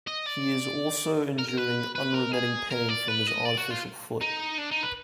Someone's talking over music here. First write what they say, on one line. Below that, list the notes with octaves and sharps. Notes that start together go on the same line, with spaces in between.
He is also enduring unremitting pain from his artificial foot.
D#5
D5
A#4
A#4
B4
B4
A#4
G#4
A#4
D5
B4
D#5
D5
F#4
F4
D#4
D4
D#4
B4